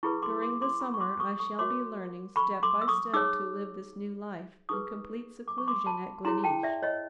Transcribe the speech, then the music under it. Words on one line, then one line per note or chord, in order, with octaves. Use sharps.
During the summer I shall be learning step by step to live this new life, in complete seclusion at Gleneesh.
E4 G#4 B4 B5 C#6
C6 D6
C6 D6
C6 D6
B5 C#6
C#6
C6 D6
C#6 D#6
C#6 D#6
F#4 A#4 C#5 C6 D6
B5 C#6
C6 D6
E6
C#6 D#6
D#4 G#4 C#5 D6 E6
D#4 G#4 B4 C#6 D#6
D6
C#6
C6 D6
A5 B5
E4 G#4 C#5 A#5 C6
G5 A5
D5 E5
C#5 D#5